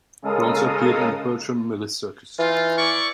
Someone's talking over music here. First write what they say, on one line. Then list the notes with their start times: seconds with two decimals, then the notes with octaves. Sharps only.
He also appeared in the Bertram Mills Circus.
0.22 C#3 G#3 A4 A#4 F5 D#6
2.39 E3 D#4 F4
2.77 E4 D5 C#6